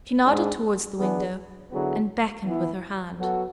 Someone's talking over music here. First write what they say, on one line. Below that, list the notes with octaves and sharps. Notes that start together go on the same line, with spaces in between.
She nodded towards the window, and beckoned with her hand.
G#2 G#3 D4 G#4
E3 B3 D4 G#4
D3 F#3 B3 E4 G#4
E3 B3 E4
F#3 B3 F#4 A4